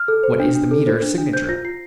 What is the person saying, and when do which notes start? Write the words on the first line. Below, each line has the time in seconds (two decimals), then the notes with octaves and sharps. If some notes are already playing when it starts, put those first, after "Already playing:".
"What is the meter-signature?"
Already playing: F6
0.08 A4
0.23 C5
0.40 D4
0.55 D4
0.71 A4
0.86 C5
1.02 D4
1.18 D4
1.33 C5 G6
1.49 F4 A#6
1.65 F4 C7